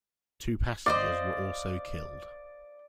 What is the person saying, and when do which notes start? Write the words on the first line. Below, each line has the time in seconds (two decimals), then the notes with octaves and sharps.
Two passengers were also killed.
0.86 C5 D5 D#5 F5